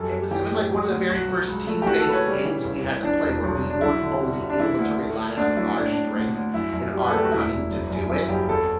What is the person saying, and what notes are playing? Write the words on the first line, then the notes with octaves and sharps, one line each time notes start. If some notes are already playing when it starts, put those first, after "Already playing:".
it was it was, like, one of the very first team-based games we had to play where we weren't only able to rely on our strength and our cunning to do it,
Already playing: F#2 G3 A4
F#2
E3 G4
A2
F#3
D2
B1 F#4
B1
C#2
A3
G4
E3 F#4
A4
C#3 B4
C#5
G3
E3
G1
G1
E3 D4
E1
B1
B1
D4
F#3 E4
D3
G3
G1
D4
E3 E4
D2
A3
A3
D2 D4
F#3 E4
A2 D4
A2 D4
D2
D2
F#2 E4
F#2
G3
B4
D2 A4
G4
F#4
E1 E4
E1
F#1
F#2
F#2 E4
F#1 G4
E2 A4